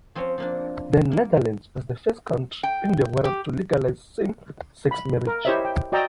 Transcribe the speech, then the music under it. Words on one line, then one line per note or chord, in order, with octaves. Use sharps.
The Netherlands was the first country in the world to legalize same-sex marriage.
F3 C4 C#4 C5 C#5
F3 A#3 D4
A#3
G5
G4
B5
A#4
E4 G4 C5 C#5 D#5 E5
G5
F#4 D5 D#5 G5 A#5 E6